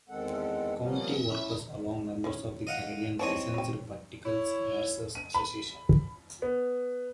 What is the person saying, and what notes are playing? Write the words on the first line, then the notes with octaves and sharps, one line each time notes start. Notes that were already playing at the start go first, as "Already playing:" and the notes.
County workers along members of the Canadian Licensed Practical Nurses Association.
E2 D#3 G#3 C4 A4 F#5
F3 G3 A#3 B3 C#4
C#4 E4
D#3 C#4 E4
D#5 F5 F#5
E3 C4 C#5 D#5 A5
F#3 G5
E4 C#5
D#7
B5
B3